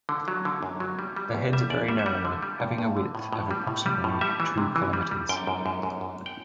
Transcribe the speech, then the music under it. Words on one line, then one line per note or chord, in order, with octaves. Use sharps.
The heads are very narrow, having a width of approximately two kilometres.
D3
F#3
D3
F#2
F#3
G3
G3
E2
G3 E5
E2 D5
G3 E5
E5
G3 F#5
D3
G3
G2
G2
D3
A2
A2
G3
A2
G3
A2
G3 E5
E3
C3
E3
G3
G3
F#2 G5
F#2
F#2
F#2
F#2
G5